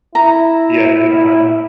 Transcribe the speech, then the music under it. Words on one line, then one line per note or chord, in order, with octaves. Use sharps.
Yeah, uh-huh.
E4 A#5